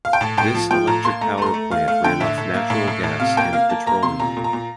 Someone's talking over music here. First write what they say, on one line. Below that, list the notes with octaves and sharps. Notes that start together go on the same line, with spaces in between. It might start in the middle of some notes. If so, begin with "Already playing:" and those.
This electric power plant ran off natural gas and petroleum.
F5
G5
A2 A5
A2 G5
F3 A5
F3 G5
A2 A#5
A#3 C6
A3 A#5
A3 C6
A#5
A3
A3 F5
A3 F5
D3 G5
A2 E5
A2
A#3
A2
A2
A2
C3 F5
A#3 G5
A#3 F5
A#3 A5
A#3 A#5
C3 C6
A#2 A#5
A#2
A#5
A#2